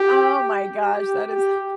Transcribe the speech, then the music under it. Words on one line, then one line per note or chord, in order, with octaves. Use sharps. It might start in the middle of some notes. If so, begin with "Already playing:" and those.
Oh my gosh, that is hi
Already playing: G4
G4
G4